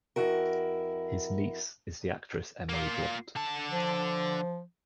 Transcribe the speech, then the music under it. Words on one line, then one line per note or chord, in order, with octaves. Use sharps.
His niece is the actress Emily Blunt.
F2 E4 F#4 A#4
A#3 F4
D3 A5
F3